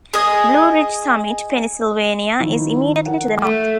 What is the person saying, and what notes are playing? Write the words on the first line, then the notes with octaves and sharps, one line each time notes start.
Blue Ridge Summit, Pennsylvania is immediately to the north.
G#4 D#5
D#3 F3 E4
A#4 F#5
A3